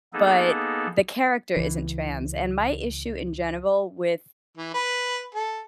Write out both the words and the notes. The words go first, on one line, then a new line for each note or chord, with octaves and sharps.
but the character isn't trans, and my issue in general with,
A#3 B3 D#4 G#4 A4
C#2 E3
E3
B4
A4